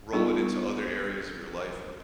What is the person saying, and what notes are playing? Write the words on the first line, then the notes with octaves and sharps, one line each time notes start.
roll it into other areas of your life, and
G3 B3 D4 D#4 F4 G#4